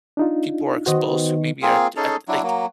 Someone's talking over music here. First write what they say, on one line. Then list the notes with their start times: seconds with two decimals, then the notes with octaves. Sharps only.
people are exposed to maybe at at, like
0.17 D4 D#4 F4
0.86 D#3 B3 F#4 C5 D#5
1.62 A#3 C4 F4 G#4
1.97 C#4 D#4 G#4 A4
2.28 F#3 D4 E4
2.43 F#3 A#3